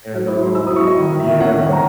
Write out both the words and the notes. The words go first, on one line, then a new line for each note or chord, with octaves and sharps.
and, um, yeah,
F#3
E4
F#3
F#3 E6
D#6
E4
C#6
F#3 D#5
D#3
D#3
E5
A#3
C#4 F#5
D#3
D#3 A#5